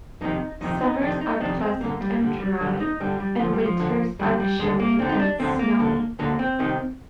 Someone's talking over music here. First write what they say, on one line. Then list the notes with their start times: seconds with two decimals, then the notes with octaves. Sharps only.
Summers are pleasant and dry, and winters are chilly and snowy.
0.21 F2 C3 D#3 D#4
0.61 F2 C3 D#3 D#4
0.81 D#4
1.01 F2 C3 D#3 D4
1.21 D#4
1.40 F2 C3 D#3 D4
1.60 C4
1.81 G2 D3 A#3
2.01 G3
2.20 G2 D3 G3
2.40 G3
2.60 G2 D3 G3
2.80 D#4
3.00 G2 D3 G3
3.20 G3
3.40 D#2 D3 F3
3.53 G3
3.65 F3
3.80 D#2 D3
4.19 D#2 D3 G3
4.40 G3
4.59 D#2 D3 G#3
4.80 A#3
4.99 D2 D3 C4
5.09 D#4
5.19 D4
5.39 D2 D3 C4
5.59 A#3
5.80 D2 D3
6.19 D2 D3 A#3
6.39 C4
6.59 C2 C3 D#3